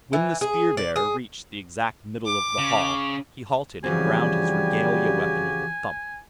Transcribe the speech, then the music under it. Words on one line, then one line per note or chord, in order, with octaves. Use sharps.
When the spear-bearer reached the exact middle of the hall, he halted and grounded his regalia-weapon with a thump.
E3
G#4
D5
G#4
D6
C#3
C#3 E3 F3 G3 C4 F#4 G4 G#5